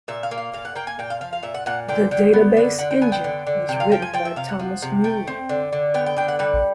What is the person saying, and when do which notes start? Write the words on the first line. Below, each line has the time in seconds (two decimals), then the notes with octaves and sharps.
The database engine was written by Thomas Mueller.
0.08 A#2 E5
0.23 F5
0.31 A#3
0.38 F5
0.54 A#2 F5
0.65 F#5
0.75 A#3 G5
0.87 G#5
0.99 A#2 G5
1.10 F5
1.21 F3 F5
1.33 F5
1.43 A#2 E5
1.54 F#5
1.66 A#2 F#5
1.89 D3 G5
2.11 D3 G5
2.33 B3
2.57 D3
2.78 D3 F#5
2.91 G5
3.01 B3 G#5
3.12 G5
3.24 D3
3.47 D3
3.69 C3 G5
3.80 F5
3.92 F3 G5
4.02 G#5
4.14 F3 G5
4.25 E5
4.36 C3 F5
4.49 F#5
4.60 F3
4.82 C3
5.04 A3 G5
5.27 C4
5.49 D3
5.73 D3
5.94 B3 G5
6.06 G5
6.17 D3 G5
6.28 F#5
6.39 G3 F#5